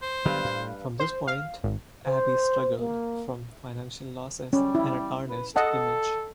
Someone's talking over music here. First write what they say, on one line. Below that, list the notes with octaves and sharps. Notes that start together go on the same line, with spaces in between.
From this point, Abbey struggled from financial losses and a tarnished image.
C5
G2 D3 F#3 B3 B4 F5
A2
C5
F5
G#1
C5
A#3
G3 C#4
E4
B4
A4 D#5 F#5 A5